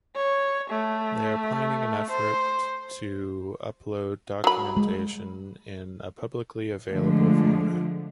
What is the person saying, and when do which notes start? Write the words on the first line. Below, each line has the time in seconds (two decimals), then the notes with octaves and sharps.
They are planning an effort to upload documentation in a publicly available format.
0.16 C#5
0.70 A3
2.10 C5
4.44 F#3 B5
4.77 G#3
6.90 D3 F3 G#3 A3